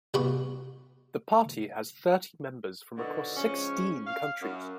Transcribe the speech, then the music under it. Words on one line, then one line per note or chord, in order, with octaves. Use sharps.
The party has thirty members from across sixteen countries.
C2 B2 G4 B5 C#6
B2 D3 D#3 F#3 F#4
F3 G#3 C#4
F5
F#2